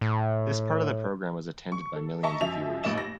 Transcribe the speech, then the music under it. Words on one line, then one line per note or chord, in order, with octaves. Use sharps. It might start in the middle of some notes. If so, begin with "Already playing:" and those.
This part of the program was attended by millions of viewers.
A2
C#6
A4
D#5 E5 A5 A#5 C#6
F#2 F3 D#5 E5 F7
A1 A#2 D#4 D#5 E7
A#6